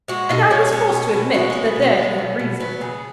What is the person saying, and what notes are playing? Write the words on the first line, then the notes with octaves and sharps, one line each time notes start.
And I was forced to admit that there he had reason.
G#3 F#4
B2 D#4
G#3 C#4
G#3 C#4
B2
B2
G#3 F#4
C#4
G#3
B3
B2
B3
G#3
B2
B2
F#3 B3
C#3 G#4